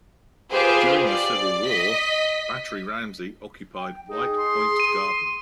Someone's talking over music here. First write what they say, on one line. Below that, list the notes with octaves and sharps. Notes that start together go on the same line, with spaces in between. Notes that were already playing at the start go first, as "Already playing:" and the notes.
During the Civil War, Battery Ramsay occupied White Point Garden.
F4 G4 G#4 B4 C5 F5
D5
D#5 B6
G5
D#4 G#4
C6
D#7